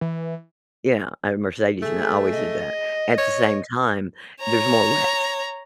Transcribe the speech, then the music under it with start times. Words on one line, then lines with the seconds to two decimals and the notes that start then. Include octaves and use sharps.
Yeah, I have a Mercedes, and I always did that. At the same time, there's more wrecks,
0.01 E3
1.82 A3 G#4
2.32 D#5
3.18 C#5
4.42 C#5 A#5